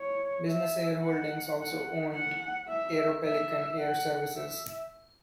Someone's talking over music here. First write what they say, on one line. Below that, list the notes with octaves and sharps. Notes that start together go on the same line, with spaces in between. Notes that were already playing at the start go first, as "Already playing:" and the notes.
Business Air Holdings also owned Aeropelican Air Services.
Already playing: C#5
E5
F#5
F#5
F#5
E5
E5
F#5
E5